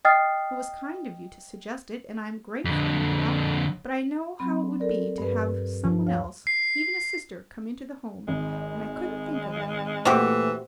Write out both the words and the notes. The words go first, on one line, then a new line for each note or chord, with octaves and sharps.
It was kind of you to suggest it, and I am grateful and all that; but I know how it would be to have some one else, even a sister, come into the home, and I couldn't think of it.
D#5 G5 D#6 F6 A6 C7
F2 D3
F#3 C4 B5
A4 A#4 D5
G2 B4
F3
D2 C#5 F5
C7
G#1 G#3
A#2 E3 A3 C4 F#4 G4